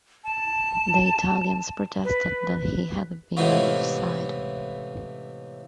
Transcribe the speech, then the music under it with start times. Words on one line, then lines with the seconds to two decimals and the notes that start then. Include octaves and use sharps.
The Italians protested that he had been off-side.
0.24 A5
2.04 B4
3.37 A2 C3 E3 G#3 B3 F4